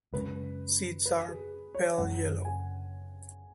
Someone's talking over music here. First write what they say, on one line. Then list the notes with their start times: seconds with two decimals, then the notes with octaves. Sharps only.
Seeds are pale yellow.
0.13 F#2 C#3 G#3 C#4 B4
1.06 B4
1.28 G#4
1.75 C#5
1.98 F#1 F#2 C#3 G#3 F#5
2.45 G#5